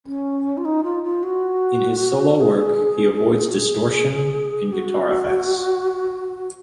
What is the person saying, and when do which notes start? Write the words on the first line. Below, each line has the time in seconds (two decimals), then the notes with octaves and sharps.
In his solo work, he avoids distortion and guitar effects.
0.06 C#4
0.57 F4
0.65 D#4
0.84 F4
1.04 F4
1.23 F#4
2.40 G#4
3.49 F#4
3.57 G#4
4.73 F#4